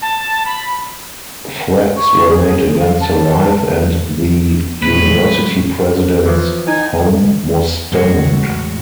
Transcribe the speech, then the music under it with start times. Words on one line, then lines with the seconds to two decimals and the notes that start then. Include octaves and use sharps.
Threats were made against her life and the University president's home was stoned.
0.02 A5
0.46 B5
1.97 C#6
2.28 G#4
2.80 F5
3.01 A5
4.82 A2 F#3 G#3 B4
6.26 E3 F3
6.67 D#4 E4 G#5
7.92 E2 A2 G#3 F#4